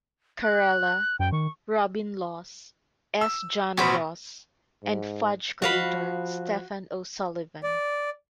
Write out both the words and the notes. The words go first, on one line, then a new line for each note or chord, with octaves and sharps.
Carella, Robin Laws, S. John Ross, and "Fudge" creator Steffan O'Sullivan.
F#6
F#2 G5
D#3 C#6
E6
A1 B2 F#4 C5 B5
G#2
F3 F#4 F5 B5
D5